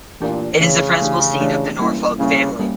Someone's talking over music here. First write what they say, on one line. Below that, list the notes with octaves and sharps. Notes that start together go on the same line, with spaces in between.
It is the principal seat of the Norfolk family.
A#2 E3 A3 D4 G4
C#3 E3 A3 D4 G4
E3 A3 D4 G4
E3 A3 D4 G4
G3 A#3 C#4 E4
C#3 G3 A#3 C#4 E4
G3 A#3 C#4